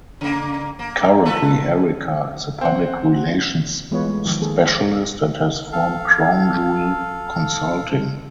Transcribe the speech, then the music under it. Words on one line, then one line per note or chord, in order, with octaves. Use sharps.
Currently, Ericka is a Public Relations Specialist and has formed Crown Jewel Consulting.
C#3 A#3
A#3
F4 A4 B4
C4 F#5
E3 G#3 B3 F4 B4 C#5
G#3 A3
D#3 F3
D#3 A#3 G#4 A4
C5
A4 F5